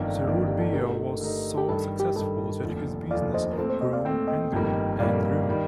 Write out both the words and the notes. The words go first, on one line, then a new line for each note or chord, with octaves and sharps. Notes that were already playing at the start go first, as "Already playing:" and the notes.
The root beer was so successful, that his business grew, and grew, and grew!
Already playing: G1 F2 D#3 A#3 D4 D5 F5
G1 F2 D#3 A#3 D4
G4
A4
D3 A3 D#4 G4 A#4
D3 A3 D#4
G4
G2 D#3 G3 A4
G4
G2 D#3 G3 A4
F1 D#2 D3 F3
F1 D#2 D3 F3 D5 F5
C5 D#5
A#4
A#2 A3 C4 A4 C5
A4 C5
C5 D#5
D5 F5
A#2 A3 C4 G5
D#5 G5
G1 F2 D#3 G3 A#3
G1 F2 D#3 G3 A#3 D5 F5
D#3 G3